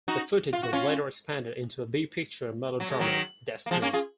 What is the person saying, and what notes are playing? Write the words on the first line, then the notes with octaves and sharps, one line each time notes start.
The footage was later expanded into a B-picture melodrama "Destiny".
D#4 F#4
F4
F#4
C#4 F4
F#3
G#3
D#3 F#3
A#3
F3 G#3
A#3 C#4
F4 G#4